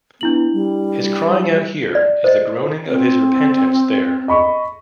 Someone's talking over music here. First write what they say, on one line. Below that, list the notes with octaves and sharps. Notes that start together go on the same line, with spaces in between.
His crying out here is the groaning of his repentance there.
B3 D4 E4 F#7
G3
D5
C5 D#5
C4
D#5 B5 C#6